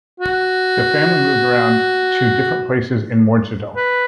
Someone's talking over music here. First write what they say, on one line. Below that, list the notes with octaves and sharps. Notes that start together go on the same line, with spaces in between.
The family moved around to different places in Morgedal.
F#4
B4